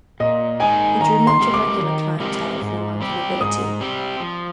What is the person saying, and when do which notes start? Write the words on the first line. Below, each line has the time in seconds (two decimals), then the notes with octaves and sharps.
He drew much of regular clientele from among the nobility.
0.20 A#2 D#5
0.60 G#3 D#4 A#4 G#5
1.00 D#3 A#5
1.27 C6
1.40 G#3 C4 G4 A#4
1.54 D6
1.80 D#3
2.20 G#3 C4 G4 A#4
2.61 G#2
3.01 G3 C4 G4
3.40 G#2 D#6
3.81 G3 C4 G4
4.20 F3